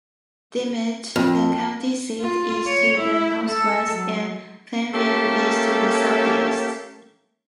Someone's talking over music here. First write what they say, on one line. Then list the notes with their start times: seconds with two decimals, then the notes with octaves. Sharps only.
Dimmitt, the county seat, is to the northwest, and Plainview is to the southeast.
1.16 F2
2.21 F4
2.67 C#5
2.98 E4
3.45 A3 A4
3.92 F#3
4.93 A3 A#3 C#4 G4 A4 E5